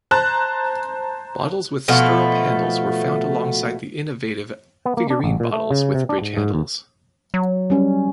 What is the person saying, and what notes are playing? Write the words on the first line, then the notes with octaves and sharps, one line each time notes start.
Bottles with stirrup handles were found alongside the innovative figurine bottles with bridge handles.
C5 A5 A#5 F#6
B2 F3 A3
B3
A#3
D4
A1
A#2
A3
C#3
C3
D4
G#2
G#2
D#2
F#3
G3 C#4